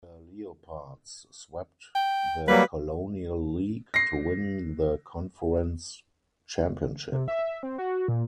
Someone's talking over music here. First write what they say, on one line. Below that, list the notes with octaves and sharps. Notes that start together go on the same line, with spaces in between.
The Leopards swept the Colonial League to win the conference championship.
G5
F#3 G3 A#3 B4
A#6 C7
C3
E5
C4
F#4
A#2